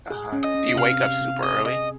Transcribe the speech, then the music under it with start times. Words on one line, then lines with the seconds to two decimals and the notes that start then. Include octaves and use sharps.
Uh-huh. Do you wake up super early?
0.11 G#4
0.32 C#4
0.44 D#5
0.54 C#4
0.76 C3 F5
0.99 C3
1.21 C3
1.43 G#4 D#5
1.66 G#4 D#5